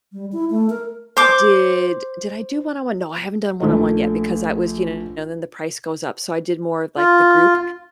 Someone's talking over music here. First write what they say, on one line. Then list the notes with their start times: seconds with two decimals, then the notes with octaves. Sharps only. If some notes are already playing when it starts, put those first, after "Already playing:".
did Did I do one-on-one? No, I haven't done one-on-one yet, because that was, you know, then the price goes up, so I did more of, like, the group,
0.13 G3
0.32 E4
0.50 A3
0.70 A#4
1.17 C5 D6
3.60 A#1 A3 D#5
6.97 F4